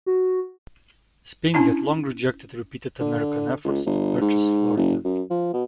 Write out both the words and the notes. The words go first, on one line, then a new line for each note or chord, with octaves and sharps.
Spain had long rejected repeated American efforts to purchase Florida.
F#4
C#4 D4 E4 A5
D3
C#2
G1
G#2
F#1
F#2
F3
B2